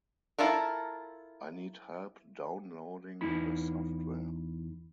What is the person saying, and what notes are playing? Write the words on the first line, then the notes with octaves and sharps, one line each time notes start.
I need help downloading the software.
E4 F4 A4 A#4
E2 D#4 E4 B5